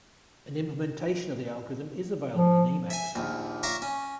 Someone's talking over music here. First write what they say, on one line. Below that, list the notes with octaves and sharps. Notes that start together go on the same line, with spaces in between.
An implementation of the algorithm is available in Emacs.
F3
E5 G#5
A#1 D#2
C#5 E5 F5 A#5 D6
C#4